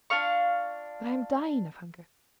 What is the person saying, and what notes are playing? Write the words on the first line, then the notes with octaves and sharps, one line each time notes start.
But I am dying of hunger.
D4 F4 F5 C#6